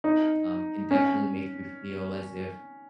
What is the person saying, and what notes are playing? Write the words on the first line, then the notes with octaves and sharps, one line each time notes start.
um, can definitely make you feel as if,
D#4
C#4